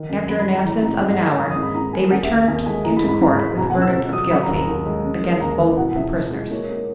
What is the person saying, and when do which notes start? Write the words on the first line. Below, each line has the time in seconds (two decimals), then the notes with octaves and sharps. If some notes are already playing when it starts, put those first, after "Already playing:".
After an absence of an hour, they returned into court with a verdict of "Guilty" against both the prisoners.
Already playing: D#3
0.09 F#2
0.28 F#2 B5
0.40 B5
0.46 G#3
0.52 A#5
0.64 E3 A#5
0.83 G#2 A#5
1.02 G#2 D#5
1.13 F#5
1.20 A#3
1.26 G#5
1.38 D#3 A#5
1.50 D#6
1.56 G#2
1.63 B5
1.75 G#2 A#5
1.92 A#3 G#5
2.11 C#3 F#5
2.23 E5
2.30 D#2
2.47 D#2 G#5
2.66 G#3 G#5
2.84 E3 A#5
2.97 B5
3.03 G#2
3.08 B5
3.21 G#2 A#5
3.39 G#3 B5
3.57 B2 A#5
3.70 F#5
3.76 C#2
3.82 E6
3.94 C#2
4.13 F#3 D#6
4.30 C#3 B5
4.43 A#5
4.49 D#2
4.56 A#5
4.67 D#2
4.86 G#3
5.04 C#3
5.22 A#3
5.40 D#2 A#5
5.58 E3
5.77 B2 F#5
5.95 C#2 E5
6.13 C#2
6.32 G#3
6.50 A#3 C#5
6.69 A#3